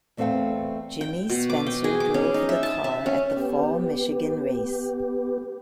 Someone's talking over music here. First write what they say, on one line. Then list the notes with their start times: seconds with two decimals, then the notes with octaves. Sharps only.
Jimmy Spencer drove the car at the fall Michigan race.
0.17 E2 A3 C4 A4 F5 G5
1.01 G5
1.30 B2
1.50 D6
1.66 G5
1.84 G#4
2.00 D6
2.14 C#4
2.34 D#4
2.49 E5
2.63 A5
2.84 E5
3.06 C#4
3.36 B3 G4